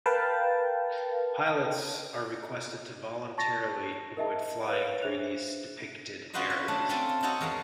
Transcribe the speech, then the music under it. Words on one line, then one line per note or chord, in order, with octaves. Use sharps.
Pilots are requested to voluntarily avoid flying through these depicted areas.
A#4 B4 F5 G5 A5
A5 C#6 A6 A#6
A#4 D#5 E5 A5
B4 C#5 F5
D4 G#4 C5 E5 F#6 F7
C#4 F4 F#4 B4 C5 D#5
B4
A3 D4
A3 C4 E4 F4 D5 G#5
D#4 E4 F#4 A4 C#5
E2 A#4 F5 A#5